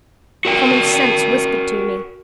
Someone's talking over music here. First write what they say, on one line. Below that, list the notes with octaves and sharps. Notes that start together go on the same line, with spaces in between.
Common sense whispered to me.
F#4 A#4 G5